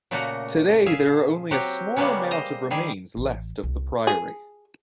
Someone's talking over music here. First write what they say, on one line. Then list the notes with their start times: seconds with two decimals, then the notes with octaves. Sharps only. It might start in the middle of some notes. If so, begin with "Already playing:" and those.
Today, there are only a small amount of remains left of the priory.
0.11 A#2 C#3 A3 A#3 F#4 A#5
0.86 G#4 E5 F5
1.51 F#3 C4 F#4 G4
1.96 C#3 G3 G#3 A#3 B3 C#4
2.31 C5 D#5 A#5
2.71 D#3 G3 G#4
3.17 A1
3.63 C2
4.07 G#4